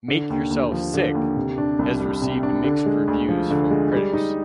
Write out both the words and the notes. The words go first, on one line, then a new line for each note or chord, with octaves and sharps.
"Make Yourself Sick" has received mixed reviews from critics.
D3
D#2
D#2
F3
D3
D#2
C3
D4
C2
G3
C3
D4
D3
G#3
D2
F3
D3
G#3
G3
D#4